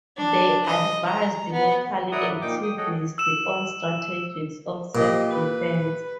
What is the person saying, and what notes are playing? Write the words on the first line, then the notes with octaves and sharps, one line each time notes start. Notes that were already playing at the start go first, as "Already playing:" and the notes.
They advised local activists on strategies of self-defense.
D4
D#5
A#5
B3
F#3 E4 D5 F#5 A#5 D#6
G2
A#2 D#4 G5 D6
G5 D#6
G#4 A4 C#5 D#5 F#5 G5
E6 E7
A#2 G4 D#5
B4